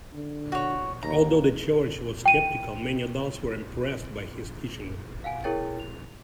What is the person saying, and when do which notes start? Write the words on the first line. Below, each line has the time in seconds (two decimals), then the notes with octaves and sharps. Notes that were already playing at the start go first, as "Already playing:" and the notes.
Although the Church was skeptical, many adults were impressed by his teaching.
0.13 D3
0.52 F#4 C#5
1.03 D#2 A#5
2.26 G5 D#7
5.24 F5 F#5 G#5 D7
5.44 E4 G#4 A#4 C#5 G5 A6
5.80 F7